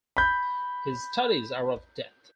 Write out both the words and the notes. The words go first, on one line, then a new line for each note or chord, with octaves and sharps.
His studies are of Death.
B5 G6